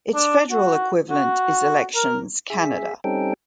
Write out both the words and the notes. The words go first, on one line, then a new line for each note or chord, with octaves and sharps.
Its federal equivalent is Elections Canada.
D4
F#4
F#4
A#4
G#4 E5
G3 C4 C#4 D#4 A4 G5